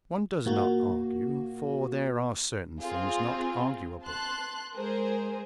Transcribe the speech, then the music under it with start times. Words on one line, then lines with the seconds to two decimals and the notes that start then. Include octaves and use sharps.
One does not argue, for there are certain things not arguable.
0.46 A#2 A#3 F#4
2.79 C4 F4 G#4
4.03 A5 C6 F#6
4.73 G#3 G#4 A#4 C5